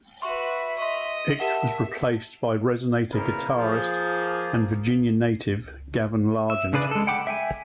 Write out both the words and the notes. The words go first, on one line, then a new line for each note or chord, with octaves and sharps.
Ickes was replaced by resonator guitarist and Virginia native, Gaven Largent.
F#4 B4 E5 C6 C#6
D#5 C6 C#6
G4 A#4 E5 F#5 A5
A#2 C#3 E3 C4 A#4 B5
F3 A#3 G#4
E5
C#3 D4 G#4 B4 D5
G#3 A4
F#5 G5 B5 D6
E5 G5 G#5